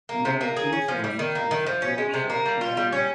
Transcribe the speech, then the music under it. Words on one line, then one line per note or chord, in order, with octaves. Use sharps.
Another influence was Joe Satriani.
A#3
C3
A#3
G#4
C#4
F3
G3
D#3
A#3
D#3
F3
C#4
G#3
C3
A#3
G3
F4
G3
C#4